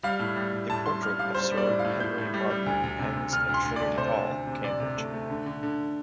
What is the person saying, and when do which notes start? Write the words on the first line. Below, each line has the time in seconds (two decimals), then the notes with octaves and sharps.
A portrait of Sir Henry Martin hangs in Trinity Hall, Cambridge.
0.03 G3 F5
0.19 A2
0.36 G3
0.52 A2
0.70 A2 A5
0.86 G3 C6
1.02 G3 F6
1.19 G3 F5
1.35 G3 C5
1.51 G3
1.57 D5
1.67 A2
1.79 F5
1.85 A2
2.00 A2 G6
2.18 A2
2.34 G3
2.50 G3
2.66 D2
2.84 D2
2.99 C3
3.16 D2
3.32 D2 F6
3.49 D2
3.54 C6
3.65 D2
3.76 D5
3.82 A3
3.98 C3 C5
4.15 D2
4.32 D2
4.47 C3
4.64 C3 D5
4.80 C3
4.97 A3
5.13 A3
5.30 D3
5.46 D3
5.63 D3